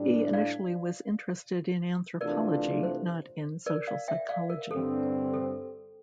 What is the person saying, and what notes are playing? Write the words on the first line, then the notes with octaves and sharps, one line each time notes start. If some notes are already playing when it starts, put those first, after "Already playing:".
He initially was interested in anthropology, not in social psychology.
Already playing: A2 G3 D4
D5 F5
C3 E3 A3 D4 F4 A#4 D5
C5
A#4 D5
D5 F5
E5 G5
D5 F5
A#4
G2 D3 G3 C4 A4
A4